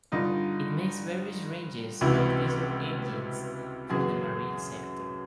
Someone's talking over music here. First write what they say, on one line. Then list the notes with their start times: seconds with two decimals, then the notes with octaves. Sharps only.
It makes various ranges of diesel engines for the marine sector.
0.12 G2 D3 D#4 F4
2.01 C#2 C3 E3 E4 F#4
3.90 F#2 C#3 E3 F#4 G#4